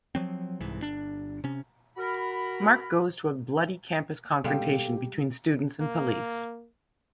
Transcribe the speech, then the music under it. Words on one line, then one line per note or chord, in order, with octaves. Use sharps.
Mark goes to a bloody campus confrontation between students and police.
F3 F#3 C4
C2 G#2 E3
G1 D4
C3 C#4
F#4 A#4 B5
B2 G3 G#3 G4 A4 F5 G5
A#3